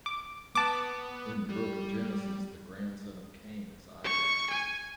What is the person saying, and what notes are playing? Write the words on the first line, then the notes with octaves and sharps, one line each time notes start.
In the book of Genesis, the grandson of Cain is Irad.
D6
B3 A5 D6
G3
C#6
G#5